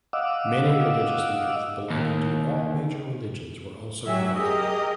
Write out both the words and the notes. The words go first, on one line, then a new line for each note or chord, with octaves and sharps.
Many religious leaders belonging to all major religions were also invited.
D#5 F5 F#5 D6 E6
D#2
F#3 G4 E5 G#5
G4 G#4 A#4 D#5